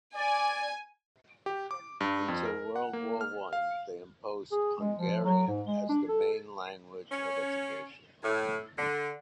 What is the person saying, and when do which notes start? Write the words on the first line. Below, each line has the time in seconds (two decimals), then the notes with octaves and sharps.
Until World War One, they imposed Hungarian as the main language of education.
0.16 D5 G#5
1.46 G4
1.71 D6
2.01 G2
2.28 F2
2.45 A#4
2.76 F#5
2.93 A#3
3.21 F6
3.53 F5
4.52 G#4
4.79 G#3
4.99 F3
5.24 F#3
5.47 G#2
5.67 G#3
5.89 D4
6.08 A4
7.11 C#4
8.23 A2
8.78 D3